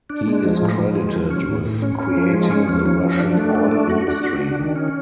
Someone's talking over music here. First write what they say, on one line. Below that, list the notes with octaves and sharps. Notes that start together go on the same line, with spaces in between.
He is credited with creating the Russian oil industry.
D4
G#3
F3
A2
F3
G#3
F3
C#4
A2
A2
C#4
C#4
F3
G#3
C#4
F3
C#4
F3
D4
A3
D4
A3
F#4
D4
F#4
D4
D#3
C#4